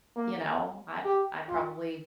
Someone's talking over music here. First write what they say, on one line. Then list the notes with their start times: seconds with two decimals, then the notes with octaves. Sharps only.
You know? I I probably
0.16 A#3
1.05 G4
1.48 F4